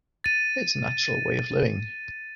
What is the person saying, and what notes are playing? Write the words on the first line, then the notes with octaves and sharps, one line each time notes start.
It's a natural way of living.
A6 D#7